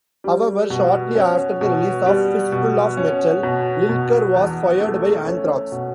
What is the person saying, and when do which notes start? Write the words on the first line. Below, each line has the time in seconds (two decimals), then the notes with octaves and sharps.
However, shortly after the release of "Fistful of Metal", Lilker was fired by Anthrax.
0.24 G3
0.70 B2
1.15 C#4
1.61 B2
2.06 G3
2.52 B2
2.97 C#4
3.43 B2
3.89 B2
4.34 E2
4.80 A3
5.26 C#4
5.72 B2